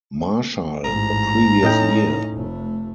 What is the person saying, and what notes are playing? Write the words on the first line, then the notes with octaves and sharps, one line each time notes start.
Marshal the previous year.
A1 G#2 A#5
A2 C#4 D#4 D#5 G5
F1 A3